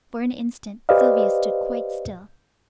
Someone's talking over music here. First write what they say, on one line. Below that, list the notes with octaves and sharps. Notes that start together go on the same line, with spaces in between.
For an instant Sylvia stood quite still.
G4 B4 C5 D5 D#5 F5